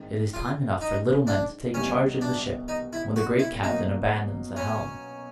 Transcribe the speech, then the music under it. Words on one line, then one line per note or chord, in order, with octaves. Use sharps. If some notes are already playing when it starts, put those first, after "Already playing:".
It is time enough for little men to take charge of the Ship when the great Captain abandons the helm.
Already playing: G#2 D#3 G#3 C4
F4
D#4
D4
C2 B2 G3 C#4
D4
D#4
E4
F#4
E4
B2 F#3 A#3 D#4
C#4